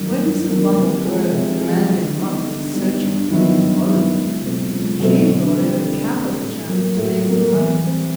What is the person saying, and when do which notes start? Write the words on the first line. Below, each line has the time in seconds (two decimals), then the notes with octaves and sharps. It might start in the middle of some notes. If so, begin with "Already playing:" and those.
When Mrs. Bumble heard that a man named Monks was searching for news of Oliver, she thought it a capital chance to make some money.
Already playing: G2 D#3 F#3 A#3 D4
0.20 G2
0.48 D#3 F#3 A#3 D4
0.76 C3
1.04 F3 G#3
1.32 C3
1.61 F3 G#3
1.89 D3
2.17 G3 B3 D#4
2.46 D3
2.73 G3 B3 D#4
3.02 G2
3.30 D#3 F#3 B3 E4
3.58 G2
3.86 D#3 F#3 B3 E4
4.15 C#2
4.43 B2 F#3 A3 C4
4.71 C#2
5.00 B2 F#3 A3 C4
5.28 D3
5.56 G3 C4
5.84 D3
6.12 G3 C4
6.41 A2
6.68 F#3 A#3
6.97 A2
7.24 F#3
7.30 A#3
7.53 E3
7.82 G3 C4